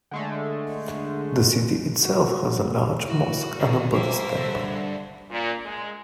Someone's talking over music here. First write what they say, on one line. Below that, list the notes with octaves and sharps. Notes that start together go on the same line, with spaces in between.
The city itself has a large mosque and a Buddhist temple.
D3 G#3 A3
F#4
E4 F#4
F2 D#3
C#2 G3 C5 E5 F5 A#5
G2 D3
A#2
G#3